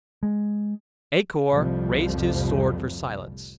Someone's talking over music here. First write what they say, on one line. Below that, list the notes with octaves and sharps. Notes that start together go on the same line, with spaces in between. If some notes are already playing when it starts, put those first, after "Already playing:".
A-Kor raised his sword for silence.
G#3
C2 F2 A2 F3 G3